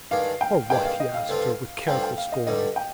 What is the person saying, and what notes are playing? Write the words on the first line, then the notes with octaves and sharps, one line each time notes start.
For what, he asked her, with careful scorn.
G2 D#3 G#3 D4 F5
G5
G2 D#3 G#3 D4 G5
F5
D#5
F5
G2 D3 F3 C4 F4
G2 D3 F3 C4 F4 G5
G5
F5
D#5
G2 D3 G3 D#5
G5